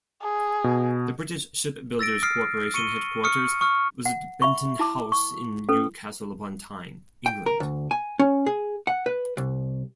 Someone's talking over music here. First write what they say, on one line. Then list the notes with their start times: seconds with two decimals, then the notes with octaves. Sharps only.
The British Shipbuilders Corporation headquarters was at Benton House in Newcastle upon Tyne, England.
0.21 G#4
0.64 B2
1.99 E6 A6 A#6 D7
2.23 D#6 F6 C7 D7
2.74 C#6 C#7 D#7 G7
3.23 C#6 D#6 F6 C#7
3.61 C#6 D#6 F6
4.06 F#5
4.42 E5 B5 C#6
4.79 E4 A5 D6
5.12 C#6
5.69 C#4 A4 B4
7.26 G5
7.46 A#4
7.60 D2
7.91 G#5
8.19 C#4
8.46 G#4
8.87 F#5
9.06 B4
9.37 C2